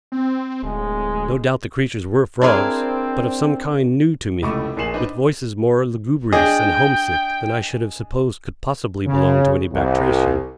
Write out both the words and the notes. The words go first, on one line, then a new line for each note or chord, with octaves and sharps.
No doubt the creatures were frogs, but of some kind new to me, with voices more lugubrious and homesick than I should have supposed could possibly belong to any batrachian.
C4
D1 G#3
C4 D4 E4 G#4 A#4 C5 D5
F1 C#2 A2 A3 C#6 D6
A#1 A#2 G#4 C7 E7 F#7
D4 D#4 B4 C5
D4 G#4 D#5 G5
C#3
C2